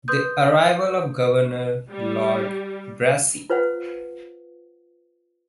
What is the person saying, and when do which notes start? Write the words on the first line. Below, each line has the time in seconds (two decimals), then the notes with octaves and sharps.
The arrival of the Governor Lord Brassey.
0.08 B4 C6 D#6 G6
1.89 G3
3.50 F4 B4 C5 F5 F#5